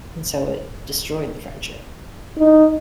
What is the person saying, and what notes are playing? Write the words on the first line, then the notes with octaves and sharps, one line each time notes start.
and so it destroyed the friendship.
D#4